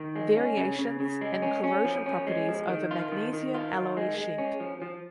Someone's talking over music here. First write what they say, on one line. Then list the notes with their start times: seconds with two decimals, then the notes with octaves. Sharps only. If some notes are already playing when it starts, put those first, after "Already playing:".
Variations in corrosion properties over magnesium alloy sheet.
Already playing: D#3
0.16 G#3
0.37 C#4
0.57 C#3
0.79 C#3
1.00 C#3
1.21 G#3
1.42 C#4
1.64 C#4
1.85 F3
2.06 C#4
2.27 G#3
2.48 F3
2.69 D#3
2.91 F4
3.12 D#3
3.33 D#3
3.54 F4
3.75 D#3
3.97 G#3
4.18 G#3
4.38 C#4
4.60 F3
4.82 F3